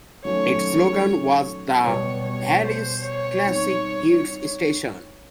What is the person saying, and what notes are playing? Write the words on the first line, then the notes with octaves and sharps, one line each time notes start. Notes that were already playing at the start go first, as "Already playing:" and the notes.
Its slogan was The Valley's Classic Hits Station.
D#3 F#3 A3 C#4 F#4 C#5
B2 G3 B3 C#5
C#5
C5
C#5
G3 C4 D#4